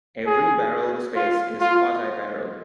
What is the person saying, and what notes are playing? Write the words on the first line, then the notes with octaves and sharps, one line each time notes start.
Every barrelled space is quasi-barrelled.
G#4
F4
F4